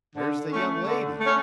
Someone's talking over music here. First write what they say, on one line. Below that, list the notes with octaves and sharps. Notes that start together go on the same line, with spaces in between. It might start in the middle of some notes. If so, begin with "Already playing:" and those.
"Where's the young lady?"
D3
A3 C#4
D3
A3 C#4